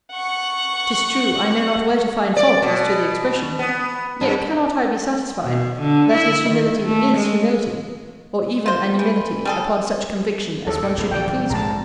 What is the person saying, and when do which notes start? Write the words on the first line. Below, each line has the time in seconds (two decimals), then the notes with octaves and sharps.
'Tis true, I know not where to find fault as to the expression; yet cannot I be satisfied, that his humility is humility; or even an humility upon such conviction as one should be pleased with.
0.12 F#5 C#6
2.37 D5
2.62 B2
3.59 B3
4.21 G2
5.43 B2
5.80 D3
6.13 E4
6.49 D#3
6.84 A3
7.17 G#3
8.66 F4 C5
8.99 E3
9.45 G3 G#4 A4
10.67 D#2 A4
10.82 A2
10.98 A#1 F2 A#2
11.11 A#1 D3 E3 D5 G5
11.50 A#1 G#2 G#3 A5 A#5